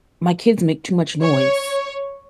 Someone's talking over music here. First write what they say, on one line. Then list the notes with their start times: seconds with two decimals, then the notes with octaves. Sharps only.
my kids make too much noise,
1.22 C#5